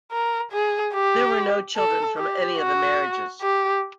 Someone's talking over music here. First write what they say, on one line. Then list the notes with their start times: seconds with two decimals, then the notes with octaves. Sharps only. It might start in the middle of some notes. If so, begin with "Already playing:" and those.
There were no children from any of the marriages.
0.12 A#4
0.52 G#4
0.94 G4
1.76 A4
2.17 G4
2.59 F#4
3.41 G4